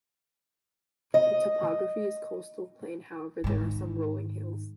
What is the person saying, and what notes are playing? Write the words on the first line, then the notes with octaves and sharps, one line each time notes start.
The topography is coastal plain; however there are some rolling hills.
D#5
G#2 D#3